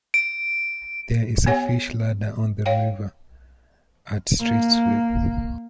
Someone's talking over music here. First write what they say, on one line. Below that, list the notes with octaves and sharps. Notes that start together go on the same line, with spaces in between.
There is a fish ladder on the river at Streetsville.
D7
B3 G4 C#5 F#5 G#5
C#5 F5 G5
A#3